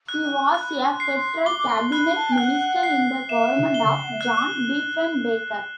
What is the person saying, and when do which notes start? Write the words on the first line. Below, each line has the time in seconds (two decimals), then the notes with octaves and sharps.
He was a federal cabinet minister in the government of John Diefenbaker.
0.08 F#6
0.24 G5
0.49 A5
0.54 B5 F#6
0.85 C6
1.00 C7
1.15 C6
1.41 C6
1.45 D6 G7
1.58 D6
1.69 C6
1.92 B5 F#6
2.15 A5
2.32 G5
2.38 F#5 F#6
2.83 C7
3.29 E5 E7
3.74 G7
3.94 G5
4.03 F#5
4.12 E5
4.21 D5 F#6